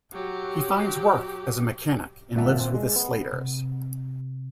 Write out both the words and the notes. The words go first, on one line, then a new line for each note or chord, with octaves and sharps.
He finds work as a mechanic and lives with the Slaters.
F#3 G4
G#1 A#2 E5 F#5 A5
C4
G#3
B3
C3